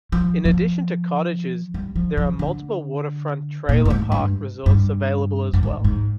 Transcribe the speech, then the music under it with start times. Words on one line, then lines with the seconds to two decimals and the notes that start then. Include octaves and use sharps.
In addition to cottages, there are multiple waterfront trailer park resorts available as well.
0.12 F3
0.45 F3
1.74 G3
1.96 F3
2.17 F3
2.39 D3
3.69 A#2
3.85 A#2
3.90 G#2
4.12 G2
4.66 G2
5.53 G2
5.63 G#2
5.84 G#2